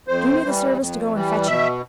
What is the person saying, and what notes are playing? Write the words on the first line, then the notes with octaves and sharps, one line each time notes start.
"Do me the service to go and fetch him."
F2 C5
E3 G3
F2
E3 G3
B2 E5